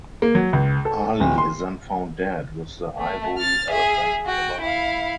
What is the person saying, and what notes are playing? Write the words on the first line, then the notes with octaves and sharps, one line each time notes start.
Ali is then found dead with the ivory elephant nearby.
A#3
F#3
C#2
A4
D1
C6
A3
F6 A6
G#4 E5
F#4 G5
E4 F5